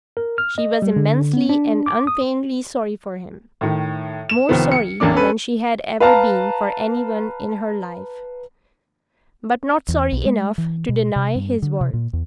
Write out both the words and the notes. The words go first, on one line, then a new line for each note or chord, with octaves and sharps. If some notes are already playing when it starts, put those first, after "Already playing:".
She was immensely and unfeignedly sorry for him--more sorry than she had ever been for any one in her life, but not sorry enough to deny his words.
A#4
F6
D#5
G3
D3
B3
D4
D6
D#6
A2 D#3
E7
C2 D#3 F3 B3
C#7
A1 E2 A#3 D4 D6
C#4 A4 B4
B4 F5 A5 A#5
E2
B1
G#3
E3
B2
C3
G2
D3
C3
A#2
E2